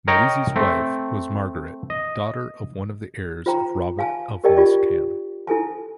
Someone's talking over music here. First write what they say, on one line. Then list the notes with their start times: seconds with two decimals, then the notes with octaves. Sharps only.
Malise's wife was Margaret, daughter of one of the heirs of Robert of Muskham.
0.08 A#4 C#5 D#5 G5 A#5
0.56 A3 C4
1.90 D#5
3.46 F4 C5 G5 A#5
3.99 F5 G#5 A5
4.44 G4 A#4 D5 D#5 G5 A5
4.57 F4 G4 D5
5.47 E4 A4 G#5 A5